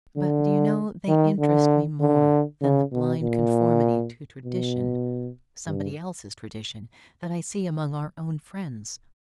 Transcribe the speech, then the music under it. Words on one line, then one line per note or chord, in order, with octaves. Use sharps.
But, do you know, they interest me more than the blind conformity to tradition--somebody else's tradition--that I see among our own friends.
D3
D#3
D3
D3
C#3
B2
A#2
B2
G2